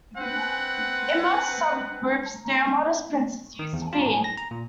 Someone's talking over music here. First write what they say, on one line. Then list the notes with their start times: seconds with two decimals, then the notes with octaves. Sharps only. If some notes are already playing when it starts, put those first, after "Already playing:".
In most sub-groups, they are modest pincers used to feed.
0.17 C4 B4 F#5
3.59 D#3
3.73 E2
3.93 F4
4.06 A2
4.24 A#6
4.37 A#5
4.51 A#2